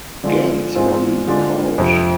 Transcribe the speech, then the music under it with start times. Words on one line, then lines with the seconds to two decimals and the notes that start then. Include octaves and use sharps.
Gans won the bout.
0.24 D3 F3 G#3 D4 F4 D5
0.75 G#2 G#3 C4 F4
1.27 D3 G#3 D4 F4
1.78 F2 C3 F3